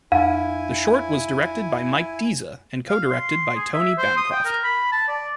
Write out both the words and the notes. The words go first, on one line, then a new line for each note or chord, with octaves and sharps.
The short was directed by Mike Disa and co-directed by Tony Bancroft.
F2 E4 F5 G#5
F5
C6
G#4
E5
C5
D#6
G5
A#4
B5
A5
D5